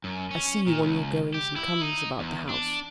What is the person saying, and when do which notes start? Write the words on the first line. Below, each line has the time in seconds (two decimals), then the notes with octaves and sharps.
I see you on your goings and comings about the house.
0.04 F#2
0.31 C#4
0.67 A#2
0.82 C#2
1.34 G4
1.56 E4
1.81 D#4
2.19 E2
2.49 D4